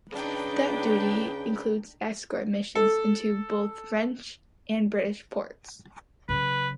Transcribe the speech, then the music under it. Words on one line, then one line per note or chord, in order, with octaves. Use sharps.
That duty included escort missions into both French and British ports.
C#3 D4 D#4 B4 G5
A4
C#3 F#3 B4